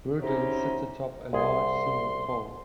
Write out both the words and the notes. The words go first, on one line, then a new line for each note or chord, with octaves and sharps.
Virden sits atop a large seam of coal.
C3 F#3 C#4 D#4 E4 G4
C2 G#4 C6